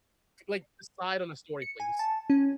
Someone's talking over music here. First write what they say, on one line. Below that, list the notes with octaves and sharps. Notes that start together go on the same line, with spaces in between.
Like, decide on the story, please.
C#7
G#5
A5
C#4